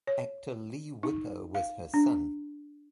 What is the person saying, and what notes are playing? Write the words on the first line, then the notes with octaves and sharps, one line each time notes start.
Actor Leigh Whipper was her son.
C#5
D#4
F5
D4